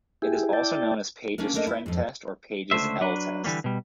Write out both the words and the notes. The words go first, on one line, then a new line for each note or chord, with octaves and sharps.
It is also known as Page's trend test or Page's "L" test.
E4 G4 G#4
E4 D5 G5 A5
A#3 C#4 D4 A#4
A3 A#3 D4 A#4 D#5
E4
F2 G#2
C#2 D3 A3 C4 C5 E5
F#3 D4 B4
D3 E3 G3 A#3
B2 G3